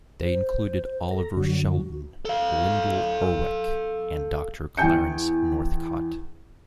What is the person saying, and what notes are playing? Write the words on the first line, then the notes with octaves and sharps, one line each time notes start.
They included Oliver Sheldon, Lyndall Urwick and Doctor Clarence Northcott.
C5
A4 A#5
F#2 D3 F#3 F#4
A4 F5
E2 G5 G#5 G6 C#7